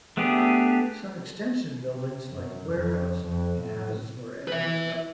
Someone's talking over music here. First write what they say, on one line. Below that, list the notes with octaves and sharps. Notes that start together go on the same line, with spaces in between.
Some extension buildings like warehouse and houses were added as well.
A3 B3 D4 G4 G#4
C3
F#2
F2
F2
A2
B4 E5